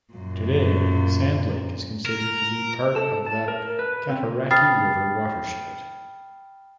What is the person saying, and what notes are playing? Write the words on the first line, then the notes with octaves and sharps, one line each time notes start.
Today Sand Lake is considered to be part of the Cataraqui River watershed.
F#2 A#2
A#4
A4
A5
A#4
B4
C4
G5 B5 D#6 F6 A6 C7